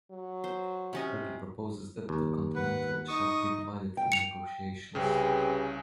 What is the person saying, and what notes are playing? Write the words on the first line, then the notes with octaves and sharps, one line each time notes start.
Turkey proposes that the continental shelf be divided through negotiations.
F#3
C5
C3 C#4 D#5
D#2
B4 F#5
D#4 D#5 C#6 D#6
G5
C#7 F7
C2 C#3 C4 C#4 G4 G#4 B4